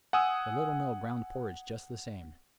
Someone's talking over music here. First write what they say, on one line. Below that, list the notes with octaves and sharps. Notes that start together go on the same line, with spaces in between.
The Little Mill ground porridge just the same.
F#5 G#5 D#6 E6